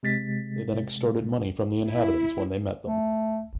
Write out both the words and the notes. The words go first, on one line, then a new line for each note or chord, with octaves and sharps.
They then extorted money from the inhabitants when they met them.
C3 G#3 A6 B6
E4
A3